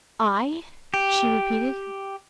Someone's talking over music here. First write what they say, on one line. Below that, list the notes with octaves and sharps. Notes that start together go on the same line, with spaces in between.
"I?" she repeated.
G4